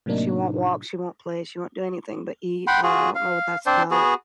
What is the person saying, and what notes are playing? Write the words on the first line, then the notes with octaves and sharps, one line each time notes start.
she won’t walk, she won’t play, she won’t do anything but eat, uh, I don’t know what that’s about,
A2 C3 F#3 A#3 D4 D#4
F#5 G5 B5 C6
F4 F#4 G#4
F5
C4 D4 C5 D5
B3 F#4 G#4